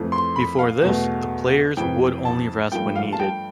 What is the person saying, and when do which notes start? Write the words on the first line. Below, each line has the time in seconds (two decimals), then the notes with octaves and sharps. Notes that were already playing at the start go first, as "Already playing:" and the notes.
Before this, the players would only rest when needed.
Already playing: F2 E3 A3
0.12 C6
0.36 B5
0.59 F5
0.83 E2 B2 A3
1.77 F2 C3 E3 G5
2.25 A5
2.72 G2 F3 A3 G5
2.96 F5
3.13 A5
3.20 G5